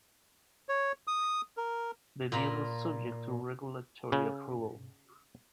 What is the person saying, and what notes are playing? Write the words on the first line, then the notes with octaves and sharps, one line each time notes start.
The deal is subject to regulatory approval.
C#5
D#6
A#4
A#2 F4 A#5 B5
C#3